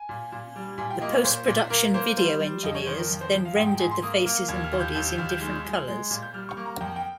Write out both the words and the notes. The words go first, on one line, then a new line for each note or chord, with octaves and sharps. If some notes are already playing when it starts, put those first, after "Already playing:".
The post-production video engineers then rendered the faces and bodies in different colors.
Already playing: G#5
A#2
A#2
G3
A#2 G#5
G5
A#3 D#5
C#5
A#2 C5
A#2
A#3 A#4
A#3 C5
G3 C5
G3
F2 D#5
C#5
D#3 C5
A#4
F2
C5
F2
F5
G#2 G5
G5
G#2 G#5
C6
A#3 D#6
A#3 F6
D#2 G#6
F6
D#2
G6
D#2 G6
G6
D#2 F6
G6
G#3 G6
G#3
G#3
A#2
G6
G3 F6
C#6
A#3
A#5
F2 G5
G5